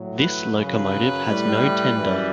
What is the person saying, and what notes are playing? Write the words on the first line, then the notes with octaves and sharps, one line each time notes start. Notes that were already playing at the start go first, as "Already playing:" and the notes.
This locomotive has no tender.
Already playing: A2 F#3
B4
F#2 C#3 F#3 B4
A2 G3
F#2 E3 G3